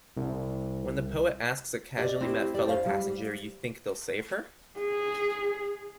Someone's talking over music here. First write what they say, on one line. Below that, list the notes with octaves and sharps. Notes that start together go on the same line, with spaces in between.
When the poet asks a casually-met fellow-passenger, You think they'll save her?
C2
G4 D5 D#5
C4 E4 G4
G4 D5
C5 F5
G3
G#4